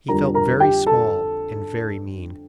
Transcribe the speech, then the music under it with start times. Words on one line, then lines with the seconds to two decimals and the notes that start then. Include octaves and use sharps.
He felt very small and very mean.
0.08 F2 D3 G3 A#4 A#5
0.34 A#4 A#5
0.60 G4 G5
0.86 A4 A5